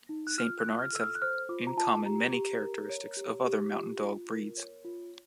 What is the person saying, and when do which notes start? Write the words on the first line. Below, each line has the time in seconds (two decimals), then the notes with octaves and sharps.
Saint Bernards have in common many characteristics of other Mountain dog breeds.
0.09 D#4
0.27 F#6
0.38 F4 F6
0.59 F#6
0.65 F4
0.79 F6
0.93 A4 E6
1.01 F6
1.15 F#6
1.22 C5 F6
1.49 F4 D6
1.67 A#5
1.77 F4 A5
2.05 G4 A#5
2.33 G4
2.61 A#4
2.90 C#5
3.17 G4
3.45 G4
3.73 F4
4.00 F4
4.29 A#4
4.57 C#5
4.85 F4